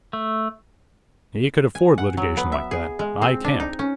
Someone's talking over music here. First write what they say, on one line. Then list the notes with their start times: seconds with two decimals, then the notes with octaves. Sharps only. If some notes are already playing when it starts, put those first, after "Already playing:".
He could afford litigation like that; I can't.
0.13 A3
1.75 G#5
1.98 F#5
2.17 F#3
2.37 B3
2.52 E5
2.71 G#4
2.99 G#3
3.22 C4
3.45 D4
3.60 D#4
3.79 C#4